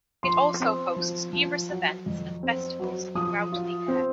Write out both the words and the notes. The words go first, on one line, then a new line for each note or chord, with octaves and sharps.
It also hosts numerous events and festivals throughout the year.
F3 C6
C4
F3
F3
F#3
F2
C4
F#3
F3 D#6
F4
C4